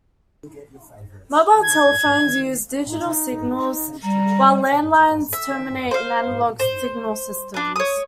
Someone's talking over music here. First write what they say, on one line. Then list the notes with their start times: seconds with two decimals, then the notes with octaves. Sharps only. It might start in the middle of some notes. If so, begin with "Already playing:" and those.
Mobile telephones use digital signals, while land lines terminate in analog signal systems.
1.63 G#6
2.88 D#4
4.03 G3 A#5
5.33 E5
5.91 C5 F5
6.60 C5
7.54 D4 B4
7.76 C#5 D#6